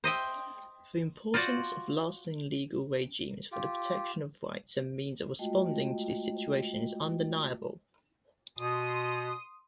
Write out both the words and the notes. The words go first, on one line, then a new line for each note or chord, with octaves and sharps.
The importance of lasting legal regimes for the protection of rights and means of responding to the situation is undeniable.
C5 D#5 E5 G5
F4 F#4 C5 D5
F4 G4
G#3 A3 F4 F#4 D#5 G5
B2 C6 D#6